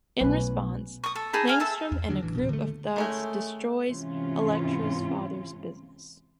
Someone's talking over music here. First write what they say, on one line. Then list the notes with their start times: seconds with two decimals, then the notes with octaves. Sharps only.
In response, Langstrom and a group of thugs destroys Elektra's father's business.
0.20 B1 F#3 A3 C#4 B4
1.04 C#6 D#6
1.15 A4
1.33 D#4 G#4 A5 B5
1.48 G#4 F5 G#5
1.60 A4 E5 A5
1.92 E2
2.09 D3 F3 F#3 D4
2.21 A1 E3
2.35 D1 B2
2.49 D3 A3
2.96 D#3 G#3 A3 C#4
3.88 G#2 C3 E3 C#4 F4